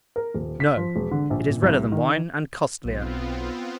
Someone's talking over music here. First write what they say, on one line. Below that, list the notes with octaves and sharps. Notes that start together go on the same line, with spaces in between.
No! It is redder than wine, and costlier.
A#4
D#1
B6
F3
E1
D3
A#1
A#2
C2
D#3
B1 B3 C4 F4